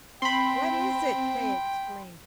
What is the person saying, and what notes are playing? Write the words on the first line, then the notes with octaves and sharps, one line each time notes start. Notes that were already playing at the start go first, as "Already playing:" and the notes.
"What is it?" they exclaimed.
C4 G5 B5 C6